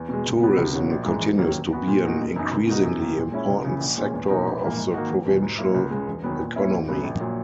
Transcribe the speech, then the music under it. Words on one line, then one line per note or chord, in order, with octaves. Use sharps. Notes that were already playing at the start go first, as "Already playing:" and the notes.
Tourism continues to be an increasingly important sector of the provincial economy.
Already playing: E2
B2 G#3
C#2
B2 F#3 B3 F#4
C#2
B2 A#3 C#4 F#4
A#1
G#2 E3 G#3
E1
D#2 D#3 F#3 A#3
F#2
E3 B3 F#4
A#2
A#3 D#4 F#4
F#1
F#2 E3 B3 D#4
C#2
B2 A#3 D#4 F#4
F#2
D#3 A#3
A#2
G#3 C#4 E4
C#2
C#3 E3
A#1
A#2 G#3 C#4
E2
B2 A#3 D#4 F#4
A#1
G#2 E3 A#3
G#2
D#3 A#3 D#4 F#4
E1
E2 B2
G#2
F#3 A#3 E4
C#2
C#3 G#3
E1
E2 D#3 F#3 B3
A#2
A#3 C#4 E4
G#1
F#2 C#3 F#3 B3
A#1
A#2 F#3